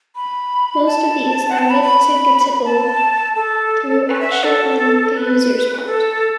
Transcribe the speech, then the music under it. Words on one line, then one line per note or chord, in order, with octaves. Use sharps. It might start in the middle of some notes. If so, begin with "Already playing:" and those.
Most of these are mitigatible through action on the users' part.
B5
A5
F#5
A5
B5
B5
A5
A4
B4
E5
F#5
A4
B4
A4